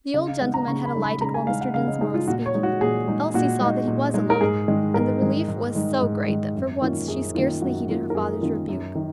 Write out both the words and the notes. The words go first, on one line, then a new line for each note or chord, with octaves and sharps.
The old gentleman had alighted while Mr. Dinsmore was speaking; Elsie saw that he was alone, and the relief was so great that for once she scarcely heeded her father's rebuke.
C#3 D#5
F5
G#3 D#4 F#5
A#5
C#3 C#6
B5
G#3 D#4
B5
C#3 A#5
G#5
G#3 D#4 F5
F#5
C#3 F5
D#5
G#3 D#4 G#4
F4
A#2 F#4
C#5
G#3 D#4
F#4
A#2 G#4
G#3 D#4
A#2 F#4
G#3 D#4
A#2
G#3 D#4
A#4
G#2 G#4
D#3 G#3
G#2 A#4
D#3 G#3
G#2
D#3 G#3
G#2
D#3 G#3
F#2
D#3 A#3 C#4 F4
F#2 G#4
D#3 A#3 C#4 F4
F#2 F#4
D#3 A#3 C#4 F4
A#4
F#2 G#4
D#3 A#3 C#4 F4
F#2
D#3